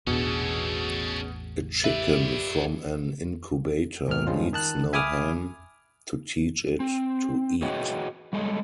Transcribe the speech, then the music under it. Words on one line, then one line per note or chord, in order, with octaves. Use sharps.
A chicken from an incubator needs no hen to teach it to eat.
A1 E2 B2 C#4 D4 G#4 A4
G4 B4 D5 E5
D#2 G#2 D#3 F6
G2 F3 G#3 C#4 F4
D#3 A5 F#6
E5 G#5 B5 D6 D#6 F6
C4
F#4 G#4 B4 C#5 D#5 G5
G3 G#3 A4 C#5 D#5